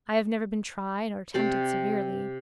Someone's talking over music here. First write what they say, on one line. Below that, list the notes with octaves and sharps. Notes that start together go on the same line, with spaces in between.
I have never been tried or tempted severely.
C3 C5 D5